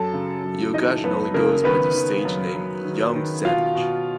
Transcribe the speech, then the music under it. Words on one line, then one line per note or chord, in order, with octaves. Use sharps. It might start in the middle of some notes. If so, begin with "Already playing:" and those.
He occasionally goes by the stage name Young Sandwich.
Already playing: F#2 A4 A5
C#3
F#2
E3 D#4 D#5
F#2 B3 B4
C#3 A#3 A#4
D#3 B3 B4
D#3
F#2
F#2
D#3
D#3
B2 F4 F5
B2